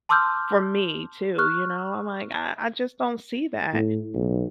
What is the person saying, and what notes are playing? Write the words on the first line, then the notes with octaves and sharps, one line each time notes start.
For me too, you know? I'm like, I I just don't see that,
A5 C6 D6 E6 F6 G6
C#6 F6 F#6
A2
B1